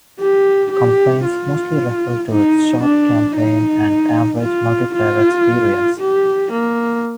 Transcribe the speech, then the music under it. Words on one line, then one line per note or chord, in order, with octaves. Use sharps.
Complaints mostly refer to its short campaign and average multiplayer experience.
G4
G4
F4
D#4
D4
D#4
F4
F4
G4
A#3